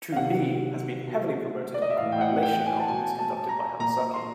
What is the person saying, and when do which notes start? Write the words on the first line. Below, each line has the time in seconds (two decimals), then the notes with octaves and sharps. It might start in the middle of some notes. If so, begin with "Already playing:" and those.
"To Be" has been heavily promoted on compilation albums conducted by Hamasaki.
0.12 F5
0.16 C3 D#3 F#5
1.07 B2
1.74 D5
1.82 D#5
1.90 E5
1.98 A2 E3 F5
2.12 G5
2.21 F#5
2.36 F#5
2.43 G5
2.66 G#5
2.80 A5
2.88 B2 G#5
3.19 A5
3.49 A#5
3.79 A#2 A#5
4.14 C6